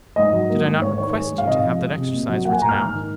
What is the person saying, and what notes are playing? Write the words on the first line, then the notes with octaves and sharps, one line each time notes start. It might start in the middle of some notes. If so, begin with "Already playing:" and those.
"Did I not request you to have that exercise written out?"
G#2 D#5
F#3
A#3
G#2
G#2 C#5
D#3 C#5
G#3
G#2
F5
C3 D#5
F3
G#3
C3
A#2
F#3
A#3 F#5
G#5
A#2 A#5
F6
G#2
D#3